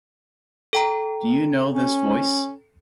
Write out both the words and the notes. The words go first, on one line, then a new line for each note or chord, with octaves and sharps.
Do You Know This Voice?
A4 G5 A#5
C#4